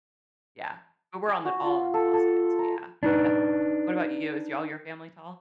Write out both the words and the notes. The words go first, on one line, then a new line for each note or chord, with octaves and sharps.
yeah. But we're on the all on the tall side, so yeah, definitely. What about you? Is all your family tall?
G#5
F#4
F4
A4
A4
A#5
D4 D#4 B4